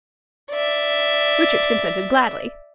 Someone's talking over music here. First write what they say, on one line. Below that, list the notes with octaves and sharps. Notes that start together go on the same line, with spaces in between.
Richard consented gladly.
D5 E5